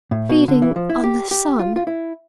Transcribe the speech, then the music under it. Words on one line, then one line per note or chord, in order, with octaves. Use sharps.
"Feeding on the sun!"
A2
B2
D3
E3
F3
E4
G4
G4
F4
F4
E4